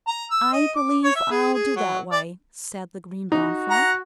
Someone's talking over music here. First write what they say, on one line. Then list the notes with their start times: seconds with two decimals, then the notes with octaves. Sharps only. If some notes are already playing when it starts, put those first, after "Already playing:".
"I believe I'll do that way," said the Green Brown Frog.
0.07 A#5
0.31 E6
0.53 D#5
0.76 D6
1.03 C#5
1.16 E5
1.31 G#4
1.54 G#4
1.76 F#3
2.12 D5
3.32 D#4 F#4
3.70 F#5 A#5